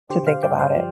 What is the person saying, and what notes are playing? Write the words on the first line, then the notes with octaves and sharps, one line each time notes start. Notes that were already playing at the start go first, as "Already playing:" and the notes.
to think about it.
D3 G4 C5
C5 F5
G2 D5 G5
C5 F5
F3